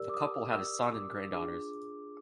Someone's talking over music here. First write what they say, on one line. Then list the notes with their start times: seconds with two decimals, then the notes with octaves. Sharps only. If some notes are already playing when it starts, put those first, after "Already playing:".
The couple had a son and granddaughters.
Already playing: G4 A#4 D5 E6
0.09 D6
0.14 D#6
0.53 E6
0.93 D6
1.32 D4 F4 G#4 D6